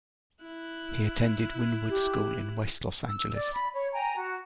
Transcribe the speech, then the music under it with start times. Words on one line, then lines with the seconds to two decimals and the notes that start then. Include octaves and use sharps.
He attended Windward School in West Los Angeles.
0.42 E4 F#6
1.90 G4
3.08 E6
3.34 D5
3.54 B5
3.73 C#5
3.93 G5 G#5 A#5
4.17 F#4